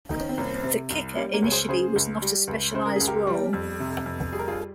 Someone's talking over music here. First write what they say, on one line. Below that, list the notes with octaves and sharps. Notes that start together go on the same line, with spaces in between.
The kicker initially was not a specialized role.
D#3 D#4
C#4
C4
C2 A#3 C#4
C3
C2
G3 A#3 C#4
A#3 C#4
C#2 C#5
G#4 C5
C#3 G#4 C5
C#2
G3
C#2
C#3 C5
A#4
C#2 G#4
G4 A#4
G3
F2
C3
F2
G3 G#4
A#4
F4 G#4